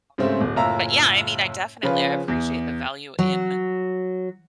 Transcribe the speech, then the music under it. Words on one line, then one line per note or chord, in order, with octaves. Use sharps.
um, but yeah, I mean, I definitely, I appreciate the value in
G#2 C#3 G3 A3 C4
D1
F#1 A2 F4 E5 A#5
C#3 F3 C#4 F4 B4
E2
F#3